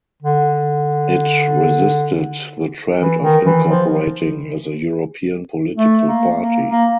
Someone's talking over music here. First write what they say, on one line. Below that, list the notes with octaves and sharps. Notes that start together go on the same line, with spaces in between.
It resisted the trend of incorporating as a European political party.
D3
E3
D#3
E3
F3
A3
A#3
A#3
A#3